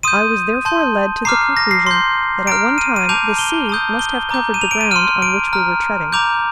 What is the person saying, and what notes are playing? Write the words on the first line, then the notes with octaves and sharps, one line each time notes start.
I was therefore led to the conclusion that at one time the sea must have covered the ground on which we were treading.
C6 D#6 G6 D#7
A5 C6 G6
A#5 D6 F6 C7
A#6
C7
C6 G6
A#5 F6 D7
D#7
D#7
A5 D6 G6 F7
G7
A5 D#6 G6
G7
A#5 D6 G6
D#7
F7
D7
D#7
C6 F6 D#7
D7
A#5 F6
A#5 D6 G6 F7